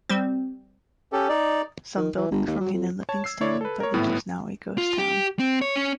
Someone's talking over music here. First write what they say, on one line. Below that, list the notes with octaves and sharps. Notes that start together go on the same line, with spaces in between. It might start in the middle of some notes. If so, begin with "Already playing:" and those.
Some buildings remain in Livingston, but it is now a ghost town.
G3 C4
C#4 G4 A4
D#4 D5
D#3
E3
G1
D#2
F#3
F2
C#5 A5 G#6
E6 C7
D3 E4 C#5 D5
A4 B4
A#4 C#5
G#1 A2 B3 E4 F#6
F4
G4
C4
C#5
C#4